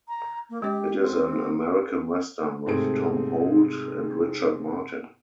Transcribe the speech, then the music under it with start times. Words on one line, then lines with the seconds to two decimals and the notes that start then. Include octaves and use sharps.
It is an American western with Tom Holt and Richard Martin.
0.08 A#5
0.50 A#3
0.62 G#3 C#4 G4 D#5
1.00 C4
2.66 G#2 C3 A3 C4 G#4 D7